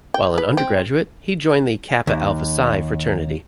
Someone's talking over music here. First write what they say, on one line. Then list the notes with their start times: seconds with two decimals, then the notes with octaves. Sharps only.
While an undergraduate, he joined the Kappa Alpha Psi Fraternity.
0.14 G5
0.38 B4
0.57 C4
2.07 D#2